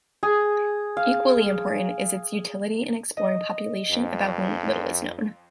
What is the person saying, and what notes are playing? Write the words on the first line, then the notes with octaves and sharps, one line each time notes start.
Equally important is its utility in exploring population about whom little is known.
G#4
F5
D#5
F2